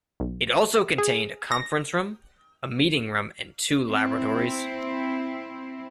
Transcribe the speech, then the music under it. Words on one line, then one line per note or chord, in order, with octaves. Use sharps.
It also contained a conference room, a meeting room and two laboratories.
B1
G#4
A#6
C4 E4